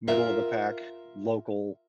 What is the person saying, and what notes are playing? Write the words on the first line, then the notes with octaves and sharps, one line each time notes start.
middle of the pack, local,
F4 A#4 E5